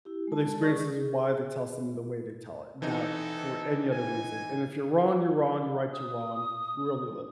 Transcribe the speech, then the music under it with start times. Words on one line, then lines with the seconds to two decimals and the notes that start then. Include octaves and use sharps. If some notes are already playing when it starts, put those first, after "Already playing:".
but the experiences of why they tell someone the way they tell it, not for any other reason. And if you're wrong, you're wrong, you're right, you're wrong, we only live.
0.05 E4 G4
0.27 G#3 A5
0.60 G#4 D5 C#6
0.93 G#4
2.82 E3 C4 D#4 A4
3.92 G#5
5.93 D#6